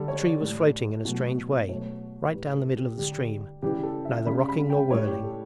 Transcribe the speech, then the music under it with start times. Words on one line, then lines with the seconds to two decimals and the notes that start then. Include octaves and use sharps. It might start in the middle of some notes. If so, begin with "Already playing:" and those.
The tree was floating in a strange way right down the middle of the stream, neither rocking nor whirling.
Already playing: D3 G3 G4 A4
0.08 C#5
0.25 D5
0.41 A2 E3 G3
1.05 B2 F#3 A3
1.69 B2 F#3 A3 C#5
2.34 A2 G3 B4
2.56 A4
2.77 G4
2.98 D3 G3 G4
3.62 C#3 E3 G3 G4
3.83 A4
4.05 E5
4.26 C#3 G3 B5
4.49 B5
4.70 G5
4.91 A2 G3 C#5
5.07 G4
5.23 A4